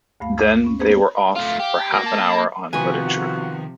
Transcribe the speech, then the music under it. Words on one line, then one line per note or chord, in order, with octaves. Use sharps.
Then they were off for half an hour on literature.
D2 G2 A3 F5
D6
B3 C#4
A#3 B3 D4 G#4 B4 C5
A3 F4 F5
G4
A#3 F#4
A5
C3 D#3 F3 B3 F4 F#4 F#5 G#5